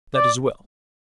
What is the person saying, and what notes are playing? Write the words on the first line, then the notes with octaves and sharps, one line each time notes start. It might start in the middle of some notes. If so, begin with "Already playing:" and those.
"That is well."
D5